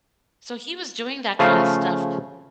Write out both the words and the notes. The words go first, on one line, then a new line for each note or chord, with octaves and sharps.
So, he was doing that kind of stuff
C#3 F3 A3 F5